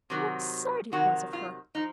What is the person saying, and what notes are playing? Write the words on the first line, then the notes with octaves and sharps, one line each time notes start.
How absurd it was of her!
C3 D#3 F#3
C3 D#3 F#3 F#4
F4
F3 D#4